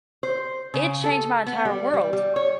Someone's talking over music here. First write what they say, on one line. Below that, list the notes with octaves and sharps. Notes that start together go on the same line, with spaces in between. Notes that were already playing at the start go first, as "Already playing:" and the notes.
it changed my entire world.
C5
C#3
A4
B3
G3
G3
G3
C#5